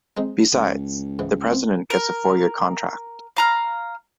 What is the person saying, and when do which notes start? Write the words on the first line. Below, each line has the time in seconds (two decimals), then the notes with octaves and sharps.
Besides, the President gets a four-year contract.
0.17 G#3 C4 D#4
0.53 C#2
1.19 G#2 E3
1.53 C4
1.90 A#4
3.37 F5 A#5 F6